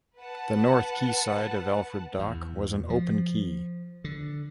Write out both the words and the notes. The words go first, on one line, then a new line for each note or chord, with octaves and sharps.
The north quayside of Alfred Dock was an open quay.
B4 F#5 A5
E2
F3
D3